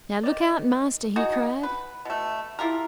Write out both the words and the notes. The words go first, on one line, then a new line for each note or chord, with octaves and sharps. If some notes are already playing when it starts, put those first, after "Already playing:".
"Now, look out, master!" he cried.
D#3 D5
D#4 F#4 G#4
B4
B2 A3
E4 F4 G4 A#4